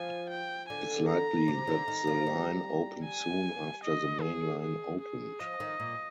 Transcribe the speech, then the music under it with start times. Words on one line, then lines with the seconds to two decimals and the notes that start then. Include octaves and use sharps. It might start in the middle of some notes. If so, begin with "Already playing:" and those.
It is likely that the line opened soon after the main line opened.
Already playing: F3 G#5
0.30 G5
0.69 D3 G#5
1.09 A#5
1.48 C3
1.67 D3
1.88 D#3
2.07 F3
2.27 G3
3.05 G#5
3.84 D#5
4.22 G#4
4.63 G#4
5.01 G#4
5.40 F3 D#5
5.60 D#3
5.80 A#2